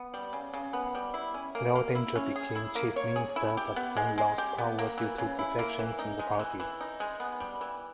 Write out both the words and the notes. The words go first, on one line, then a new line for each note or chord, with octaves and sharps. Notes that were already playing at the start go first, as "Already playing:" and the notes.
Laldenga became Chief Minister, but soon lost power due to defections in the party.
Already playing: B3
G3
C#3
C#3
B3
G3
E4
C#4
A#3
A#3
E4
C#4
G#4
E4
A#3
C#5
G#4
E4
G4
B3
G#3
G#3
G4
B3
A#3
E3
C#3
E4
A#3
E3
D#4
G#3
E3
E3
D#4
G#3
B3
G3
E3